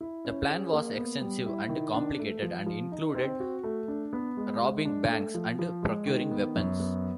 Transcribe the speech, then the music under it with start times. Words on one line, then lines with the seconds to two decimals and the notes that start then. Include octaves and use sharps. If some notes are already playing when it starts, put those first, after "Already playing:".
The plan was extensive and complicated and included robbing banks and procuring weapons.
0.01 E4
0.25 C#4
0.49 G#4
0.73 A#3
0.97 B3
1.21 G3
1.46 E4
1.69 D#3
1.94 D4
2.19 A3
2.42 F3
2.66 F3
2.92 D#4
3.15 C4
3.40 F#4
3.64 A3
3.88 D4
4.13 B3
4.37 G#3
4.61 G#3
4.85 D4
5.10 A3
5.34 F3
5.59 F3
5.83 G#3
6.07 D#3
6.31 B3
6.56 F#2
6.80 B3